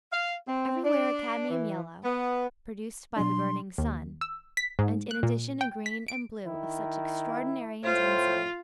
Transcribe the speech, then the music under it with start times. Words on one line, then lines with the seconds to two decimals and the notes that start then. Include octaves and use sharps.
Everywhere a cadmium yellow, produced by the burning sun, and in addition a green and blue of such extraordinary intensity!
0.11 F5
0.47 C4
0.84 D4
1.49 E3
2.04 B3
3.16 B2 F#3 D4 C6
3.78 D#2
4.21 E6
4.57 B6
4.79 G#2
5.11 F#6
5.23 A#2
5.61 G5
5.86 B6
6.08 D7
6.46 D#3 E4
7.83 A2 F4 C5